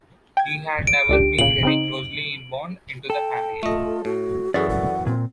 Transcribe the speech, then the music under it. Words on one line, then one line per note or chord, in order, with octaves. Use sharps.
He had never been very closely inbound into the family.
G5 G#6
D7
C#2 D4 G4
A#2 C#3 F#7
C#3 C4 D#4
A4 G5
A3 F4 D#5
A2 F#4
F#2 E3 F#4 G#4 A4 D5
F#5
A#2 C4